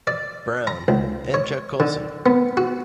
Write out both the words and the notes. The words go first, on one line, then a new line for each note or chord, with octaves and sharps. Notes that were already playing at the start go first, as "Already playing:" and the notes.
Brown, and Chuck Colson.
D5
A#5
C#2
C#5
D3
B3
F#4